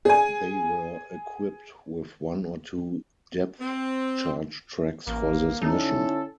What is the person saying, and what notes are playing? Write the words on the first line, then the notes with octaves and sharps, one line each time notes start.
They were equipped with one or two depth charge tracks for this mission.
G#4 G#5
C4
A1 A#3
D3 C#4 D#4 E4 A4